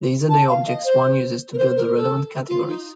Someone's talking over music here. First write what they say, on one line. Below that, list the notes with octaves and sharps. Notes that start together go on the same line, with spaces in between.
These are the objects one uses to build the relevant categories.
A5
F5
D#5
C5
A#4
C5
A#4
A4
F4
D#4